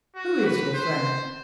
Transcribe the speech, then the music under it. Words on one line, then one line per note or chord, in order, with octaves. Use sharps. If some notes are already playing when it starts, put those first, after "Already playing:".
"Who is your friend?"
F#4
B4
C5